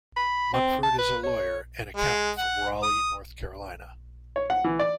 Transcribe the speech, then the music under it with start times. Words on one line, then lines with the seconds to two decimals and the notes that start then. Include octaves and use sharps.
Munford is a lawyer and accountant from Raleigh, North Carolina.
0.16 B5
0.54 C4
0.83 A5
0.98 B4
1.23 C#5
1.97 G#3
2.38 F#5
2.83 D#6
4.36 C#5
4.50 F#5
4.64 E3
4.79 D5